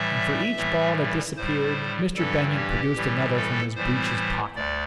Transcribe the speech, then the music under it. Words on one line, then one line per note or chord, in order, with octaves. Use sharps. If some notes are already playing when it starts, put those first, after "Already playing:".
And for each ball that disappeared Mr. Benyon produced another from his breeches pocket.
Already playing: A2 E3 G3 E5
A2 E3 G3
A2 G3 C5
G2 E3 G3 A4
G4
A2 E3 G3
A4
A2 E3 G3 C5
D2 D5